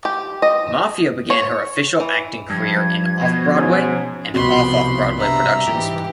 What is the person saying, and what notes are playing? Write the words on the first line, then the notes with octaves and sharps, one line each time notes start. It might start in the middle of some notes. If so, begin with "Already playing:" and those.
Maffia began her official acting career in Off-Broadway and Off-Off-Broadway productions.
G4
D#5
C#5
E3
G2 F3 G#6
B2
G#2 C#4
C2 B2 F3 B5 C6
G2 C3 E5 A#5
G#2 E3 G4